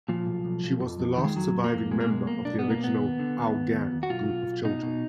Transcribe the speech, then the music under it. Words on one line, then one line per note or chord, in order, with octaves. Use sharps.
She was the last surviving member of the original "Our Gang" group of children.
A#2 F3
B1
B1
B1
F2
F2
D#3
G#3
F2 F#3
F2
A#3
F2
B2 G#3
A#3
B1 G#3
B1 A#3
B1 D4
B2 B3
A#3
B1 B3
D#2
D3
D#2
D#2
D#2
D#2
F#4
B1 F4
B1
B1
B2 D#4
B2